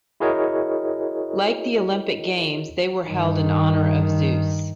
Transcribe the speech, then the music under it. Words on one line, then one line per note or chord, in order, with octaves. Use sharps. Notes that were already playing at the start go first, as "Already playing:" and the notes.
Like the Olympic Games, they were held in honour of Zeus.
E4 F#4 G#4 A#4 C#5 D#5
G2 D#3